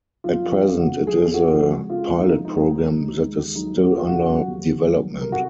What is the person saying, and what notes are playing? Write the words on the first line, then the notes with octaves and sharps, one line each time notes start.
At present it is a pilot program that is still under development.
F#3 F4
F2
F2
C#3 F#4
F#3
G#4
F2
G#4
F3 F#4
F2
G#3
C#3 F4
F3
D#4
F2
G#3 D#4
D#2
D#2
D#3
G#3
D#2
F#3 D#4
D#2
F#4
D#2 F4
C#3 F#4
F#3
D#2
D#3
C2
F#3
C3 A#4
F#4